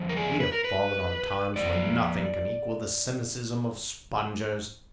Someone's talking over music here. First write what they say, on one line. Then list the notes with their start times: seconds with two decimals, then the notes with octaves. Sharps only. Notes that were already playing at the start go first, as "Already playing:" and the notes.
We have fallen on times when nothing can equal the cynicism of spongers.
Already playing: F2 D3 F3
0.09 A#4
0.17 G#4
0.40 B4
0.52 A#4
0.64 B4
1.56 F2 F3 D5